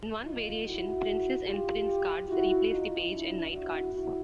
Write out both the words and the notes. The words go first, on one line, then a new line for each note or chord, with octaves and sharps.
In one variation, princess and prince cards replace the page and knight cards.
D#4 F4
E4 F#4
F4 G4
E4 F#4
D#4 F4
D4 E4
E4 F#4
E4 F#4